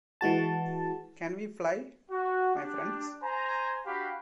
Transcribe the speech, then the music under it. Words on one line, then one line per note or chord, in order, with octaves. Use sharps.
Can we fly, my friends?
E3 G#3 F#4 A5
F#4
D4 G4
C5 G#5 A#5
D4 F#4 G4 F5 G5 B5